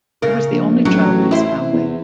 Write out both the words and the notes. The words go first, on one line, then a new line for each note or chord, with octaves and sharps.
He was the only child of his family.
C#3 A#4
A#1
A1 F#3
E4 C5
E2